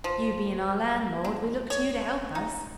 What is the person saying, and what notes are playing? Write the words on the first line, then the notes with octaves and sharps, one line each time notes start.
You being our landlord, we look to you to help us.
F3
D4
C#5
D#4